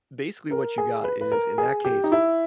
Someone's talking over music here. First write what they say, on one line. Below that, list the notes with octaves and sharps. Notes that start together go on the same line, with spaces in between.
basically what you got is, in that case,
A#4
G#4
B4
B4
A#4
G#4
G4
D#4
E4